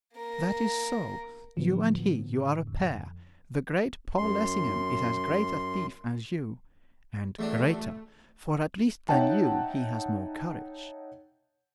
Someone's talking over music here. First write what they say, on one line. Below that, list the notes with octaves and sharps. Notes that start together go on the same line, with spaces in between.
'That is so,--you and he, you are a pair,--the great Paul Lessingham is as great a thief as you,--and greater!--for, at least, than you he has more courage.'
A#3 A#4
A2 D3 F3 F#3 B3
F2
F#2 C6
E2 F#3 A3 D4
D#4 C#5 E5 F#5 G5 A5